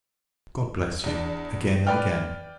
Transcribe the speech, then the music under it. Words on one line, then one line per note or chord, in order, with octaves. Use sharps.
God bless you, again and again!
E2 D4
B4 D5 G5 F6